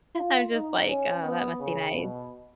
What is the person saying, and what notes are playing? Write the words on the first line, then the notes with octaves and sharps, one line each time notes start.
I'm just like, "Oh, that must be nice."
F4
D#4
C#4
B3
C#3
B2